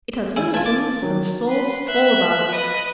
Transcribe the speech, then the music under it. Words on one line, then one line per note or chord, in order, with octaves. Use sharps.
It had little booths and stalls all about it.
E4 G#4 G#5
F4 B4 A5 G#6
D6 A6
D#3 F#3
B4 C6
E5 F#6
B4 D#5